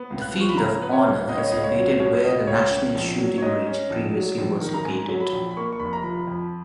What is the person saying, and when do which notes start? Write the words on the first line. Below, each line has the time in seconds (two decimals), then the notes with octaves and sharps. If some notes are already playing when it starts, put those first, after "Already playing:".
The field of honour is located where the national shooting range previously was located.
Already playing: B3
0.10 C#2
0.22 F#6
0.34 F3
0.41 C#6
0.49 B5
0.57 C#3 A#5
0.81 B3 B4
0.93 C#5
1.05 C#2
1.29 C#2 D#5
1.38 C#5
1.48 C#2 D#5
1.64 C#5
1.76 F#3
2.00 B2 C#5
2.24 C#2 D#5
2.47 C#2 C#5
2.71 C#4
2.95 A#1
3.18 F#3
3.38 C#5
3.42 G#2 D#5
3.66 C#4
3.90 A#1
4.14 F#3
4.38 A#1
4.61 D#3
4.74 A#5
4.85 G#2 G#5
5.08 F#3
5.20 B5
5.32 A#1
5.51 B5
5.57 A#3 C#6
5.72 C#6
5.80 F1 B5
5.93 A#5
6.03 F3 B5
6.28 F2